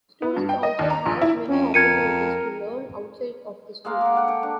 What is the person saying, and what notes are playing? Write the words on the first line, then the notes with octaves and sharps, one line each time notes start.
Students also have many opportunities to learn outside of the school.
B3
G2
G5
D#5
D#2
A#5
A#1
E4
F2 C#4
F2 A#4 G#6 C#7 D#7
G#3 A#3 F5 A#5
F#5 D6
A4 F#5 G5
C#5 G5
D4